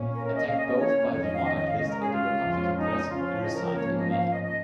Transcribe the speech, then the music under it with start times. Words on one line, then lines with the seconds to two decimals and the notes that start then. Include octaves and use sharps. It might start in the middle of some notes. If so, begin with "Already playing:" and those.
Attacked both by the monarchist and the republican press, he resigned in May.
Already playing: A#2 A#3 C#4
0.13 A#4
0.24 A#4
0.35 D#5
0.46 C#3 A#3 C#4 F5
0.57 D#5
0.68 D#5
0.79 C#5
1.12 F2 D#3 C#4 C#5
1.23 D#5
1.34 F5
1.45 D#5
1.56 D#5
1.67 F5
1.77 C#3 G#3 C#4 D#5
1.89 A#4
2.00 G#4
2.11 F4
2.44 F2 F3 G#3 C#4
2.77 D#4
3.05 D#4
3.10 C#3 F3 C#4 F4
3.42 D#5
3.53 A#4
3.65 A#4
3.75 G#2 F3 A#3 C#4 C#5
3.97 D#5
4.09 F5
4.19 F5
4.30 D#5
4.42 D#5